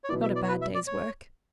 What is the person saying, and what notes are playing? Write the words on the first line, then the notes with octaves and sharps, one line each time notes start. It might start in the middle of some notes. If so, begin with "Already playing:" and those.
"Not a bad day's work."
C#5
B2 F#3 B3 E4 D5
E5
D5
C#5
B4
E5
D5
C#5